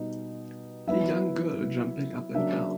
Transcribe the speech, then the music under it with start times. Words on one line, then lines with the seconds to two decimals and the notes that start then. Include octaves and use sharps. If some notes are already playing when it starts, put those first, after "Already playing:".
A young girl jumping up and down.
Already playing: B2 G3 D#4
0.87 F#3 B3 E4 E5
2.35 C#3 F#3 A#3 D4 E5